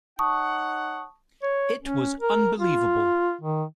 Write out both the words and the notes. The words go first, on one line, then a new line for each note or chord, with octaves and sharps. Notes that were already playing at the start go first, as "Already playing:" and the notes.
It was unbelievable.
D#4 C#5 F#5 A5 C#6 D#6
C#5
C#4
A#4
F4
D#3